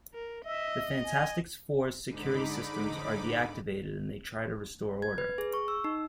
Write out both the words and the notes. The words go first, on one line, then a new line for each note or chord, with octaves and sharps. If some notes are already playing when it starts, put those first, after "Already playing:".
The Fantastic Four's security systems are deactivated and they try to restore order.
A#4
D#5 E5
G#5
G#2 D3 D#4 B5 D6
G#6
B4
G#4
C#6
E6
D#4